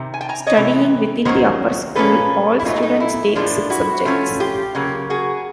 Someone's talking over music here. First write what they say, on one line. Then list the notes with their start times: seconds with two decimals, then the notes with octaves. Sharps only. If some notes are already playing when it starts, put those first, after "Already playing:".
Studying within the Upper School, all students take six subjects.
Already playing: C3 D#3
0.14 G#5
0.21 G5 A5
0.29 G#5 A#5
0.47 C#5 D#5
0.57 C3 E3
1.25 D#3 F#3 A#3 C#4 A#4 C5
1.95 A#2 F3 A#3 C#4 A4 B4
2.59 E4
2.65 A#2 F#3 A3 D#4 F4
2.78 E4
2.83 D#4
3.00 E4
3.35 A2 F3 A#3 D4
3.70 E4 F#4
4.05 F3 A3 C#4
4.40 F4 G4
4.75 C#3 F#3 A#3
5.10 F#4 G#4